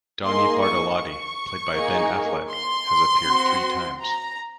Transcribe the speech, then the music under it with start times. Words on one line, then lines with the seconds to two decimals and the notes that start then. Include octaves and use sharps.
Donnie Bartalotti, played by Ben Affleck, has appeared three times.
0.24 A#3 D#4 G#4 C6
0.62 C#6
1.00 C#6
1.75 A#3 D#4 G#4
2.51 C6
3.26 C4 F#4
4.03 A#5